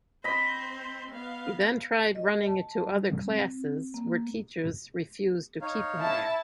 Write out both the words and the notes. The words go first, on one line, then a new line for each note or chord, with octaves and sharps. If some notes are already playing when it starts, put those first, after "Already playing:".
He then tried running into other classes were teachers refused to keep him there.
C4 C5 D#5 B5
B3 F5
D#5
A5
G3
C4
A#3
D#4 C#5 F5
E4 A5